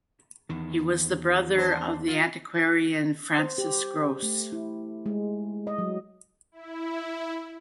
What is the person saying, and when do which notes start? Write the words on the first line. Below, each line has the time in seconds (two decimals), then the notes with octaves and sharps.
He was the brother of the antiquarian Francis Grose.
0.49 E2 D#3
1.54 D4 C5
2.08 F4
3.39 C5
3.58 G4
4.23 A3
4.52 E4
5.06 G#3
5.67 D#5
5.78 F#3
6.52 E4